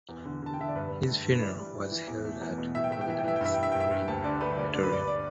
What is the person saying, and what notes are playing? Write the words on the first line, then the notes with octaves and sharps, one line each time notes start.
His funeral was held at Golders Green Crematorium.
E2
D3
D3 A5
G5
D3 E5
D5
G2 B4
G2
A3
G2
B4
E3 D5
G3
E3
E3
E2
A3
E2
B2
A2 E5
G5
A3 E5
G5
E3 E5
G5
E3 E5
G5
G2 E5
G2 G5
E5
G2 G5
E5
G2
D2 A5
D3 D5
A3 B4
D2 D5
D3 D5
B4
G2 D5
D5